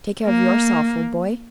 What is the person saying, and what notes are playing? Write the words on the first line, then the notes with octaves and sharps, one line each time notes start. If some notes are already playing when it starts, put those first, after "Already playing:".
Take care of yourself, old boy.
A#3